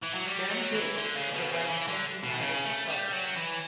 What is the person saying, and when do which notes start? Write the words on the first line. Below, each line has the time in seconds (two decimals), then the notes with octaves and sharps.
Graham Gooch is a West Ham United supporter.
0.03 E3
0.15 F#3
0.27 G3
0.50 F#3
0.74 E3
0.98 D3
1.15 C#3
1.33 B2
1.51 C#3
1.69 E3
1.87 D3
2.23 B2
2.41 C#3
2.64 A3
2.88 G3
3.12 F#3
3.36 E3